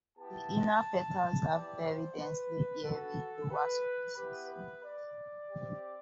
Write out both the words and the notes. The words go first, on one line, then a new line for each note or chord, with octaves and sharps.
The inner petals have very densely hairy lower surfaces.
B3 E4 G4 A5
B3 E4 G4 D5
C5
B4
B3 F#4 A4
B4
B3 E4 G4 B4
B4
D5
G4
C4